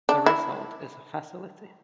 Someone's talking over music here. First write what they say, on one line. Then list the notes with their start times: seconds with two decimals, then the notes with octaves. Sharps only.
The result is a facility.
0.09 D4
0.26 E4